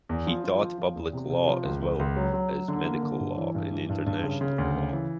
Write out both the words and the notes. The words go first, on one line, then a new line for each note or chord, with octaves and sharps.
He taught Public Law as well as Medical Law and International Law.
E2
F3
F3
F3
F3
E2
C3
C3
F3
C#2
C#2
C#2
F#3
F#3
F#3
D3
A#3
D3
G2
E3
G2
E3
G2
G2
C#3
C#3
D2
C#3
E3